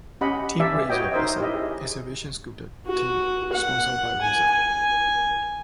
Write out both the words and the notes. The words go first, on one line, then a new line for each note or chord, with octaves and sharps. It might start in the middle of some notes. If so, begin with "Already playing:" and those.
Team Razor is an exhibition scooter team sponsored by Razor.
C#4 G4 D#5 F#5 B5
G4 B4 D5 E5 F5 G#5
F#4 B4 C#5 D#5 G5
D#4 A#4 C5 D#5 E5
E4 G4 C#5 D#5 E5
G#4
F#4
F#5
G#5
G#5